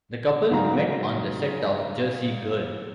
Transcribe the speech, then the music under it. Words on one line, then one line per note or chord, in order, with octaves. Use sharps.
The couple met on the set of "Jersey Girl".
G#2 C#3 F#3 A#5